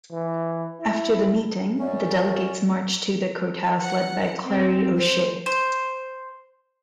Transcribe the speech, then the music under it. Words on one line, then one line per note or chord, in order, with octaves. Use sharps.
After the meeting the delegates marched to the courthouse led by Clarrie O'Shea.
E3
E4
F#2 C#4 D5
F#5
C4
C5
C5